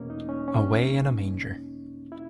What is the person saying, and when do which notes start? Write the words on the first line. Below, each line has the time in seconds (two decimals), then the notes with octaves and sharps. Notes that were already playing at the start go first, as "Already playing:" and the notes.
Away in a Manger.
Already playing: E2 B2 A#3 C#4
0.10 D#4
0.29 C#4
0.48 C#4
2.12 E4